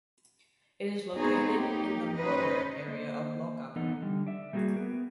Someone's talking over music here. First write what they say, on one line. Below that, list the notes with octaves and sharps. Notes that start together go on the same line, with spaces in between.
It is located in the Morvern area of Lochaber.
B3 C4 D#4 G#4 C5 C#5
A#3 D#4 G4
C#4 D#4 B4 C5 D#5
A#3 C5 D#5
E3 B3 D#4 A4 D#5 F#5
D3 G3
D5 E5
G3 A3 A#3 D#4 F#4 G#4
B3 A#4